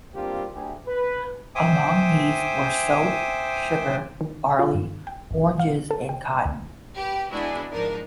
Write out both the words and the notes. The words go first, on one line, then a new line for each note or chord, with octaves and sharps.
Among these were soap, sugar, barley, oranges, and cotton.
G3 A#3 C4 D4 F4 G4
D2 G4 G#4
B4
C5 E5 G5 G#5 D6 D#6
D#3
F4
G2
G5
G1
F5
A4
G5
D2
G4 B4
G#3 B3 D4 E4 F#4 G#4
G#2 F3 D4 D#4 A#4